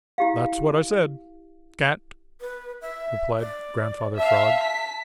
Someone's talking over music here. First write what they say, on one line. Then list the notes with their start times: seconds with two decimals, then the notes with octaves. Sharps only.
"That's what I said--can't," replied Grandfather Frog.
0.18 E4 G4 F5
2.41 B4
2.82 E5
3.40 D5
4.18 E5 F5 A5
4.61 B6